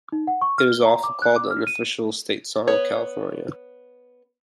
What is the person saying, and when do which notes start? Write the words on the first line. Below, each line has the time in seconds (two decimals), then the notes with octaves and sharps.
It is often called the unofficial state song of California.
0.12 D#4
0.27 F#5
0.42 C#6
0.58 F6
0.72 G7
0.85 A#5
1.04 D6
1.22 F#6
1.36 D6
1.51 F6
1.67 D#7
2.68 B3 C#5